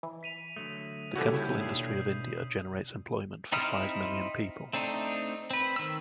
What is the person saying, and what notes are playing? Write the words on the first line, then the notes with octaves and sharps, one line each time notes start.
The chemical industry of India generates employment for five million people.
E3
B6 D#7 F7
D3 F#3 A3 D#6
D#2 C#3 G3 E4 F#4 G4 A4 C#5
G6
B2 D4 D#6 C7
C4 D#4 E4 D#6 F6
A3 C4 D4 D#4
C4 B4
D#3 E6